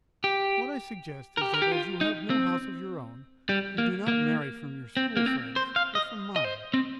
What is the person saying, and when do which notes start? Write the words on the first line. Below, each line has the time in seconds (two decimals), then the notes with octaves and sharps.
What I suggest is that, as you have no house of your own, you do not marry from your school friend's, but from mine.
0.24 G4
1.37 A#4
1.41 G4
1.54 A#4
1.62 G4
1.72 F4
2.01 D#4
2.30 C4
3.49 G3
3.78 A#3
4.08 A#3
4.97 C4
5.17 A#3
5.26 C4
5.56 C5
5.76 F5
5.95 D#5
6.36 D#5
6.44 C5
6.74 C4